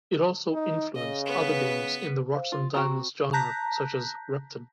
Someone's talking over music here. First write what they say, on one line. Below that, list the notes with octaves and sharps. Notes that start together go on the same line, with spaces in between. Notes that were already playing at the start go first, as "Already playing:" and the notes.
It also influenced other games in the rocks-and-diamonds genre such as Repton.
D#4
C#3 D#5
B3 B4
C5 F5
F4
C4 F#4 G5 A#5 C#6
A5 A#5 F#6 G6 A#6 B6